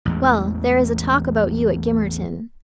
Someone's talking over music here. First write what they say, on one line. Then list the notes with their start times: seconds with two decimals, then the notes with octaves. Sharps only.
'Well! there is a talk about you at Gimmerton.
0.05 A1 E2 G#3